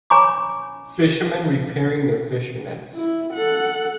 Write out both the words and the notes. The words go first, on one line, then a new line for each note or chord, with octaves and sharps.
Fishermen repairing their fish nets.
C#5 G#5 A#5 B5 C#6 D6
E4
A4 F#5